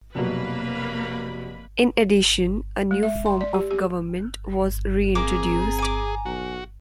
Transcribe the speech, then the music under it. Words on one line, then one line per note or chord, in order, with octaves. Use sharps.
In addition, a new form of government was reintroduced.
F1 B2 F#3 A#3 B4 B5
G#3
E5
C6
D5
G4
G4
A#3 C4 G#4 A#5 D6
G#5 D6
B1 F#4